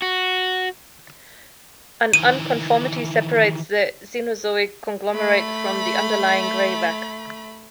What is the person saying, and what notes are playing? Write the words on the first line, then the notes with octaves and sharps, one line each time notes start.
An unconformity separates the Cenozoic conglomerate from the underlying graywacke.
F#4
D#3 E3 D#7
A3 B5